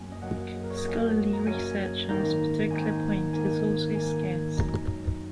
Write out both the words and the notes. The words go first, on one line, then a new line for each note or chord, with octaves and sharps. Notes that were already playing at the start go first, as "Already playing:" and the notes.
Scholarly research on this particular point is also scarce.
Already playing: F#2 F#3 A#3 C#4 G#5
D#5
F#2 F#3 A#3 C#4 F#5
G#4
A#4
C#5
D#5
F#2 F#3 A#3 C#4 F#5
A#5
F#2 F#3 A#3 C#4 G#5
G#2 D#3 A#3 D#4 A#5
G#2 D#3 A#3 D#4 G#5
G#2 D#3 A#3 D#4 G#5
G#2 D#3 A#3 D#4 G#5
F#2 F#3 D#4 A#5